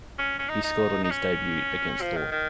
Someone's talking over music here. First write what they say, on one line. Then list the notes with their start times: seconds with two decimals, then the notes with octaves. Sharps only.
He scored on his debut against Thor.
0.19 C#4
0.39 C#4
0.49 D#4
0.64 D#4
1.04 D#4
1.11 C#4
2.01 F3
2.16 D#3
2.32 D#3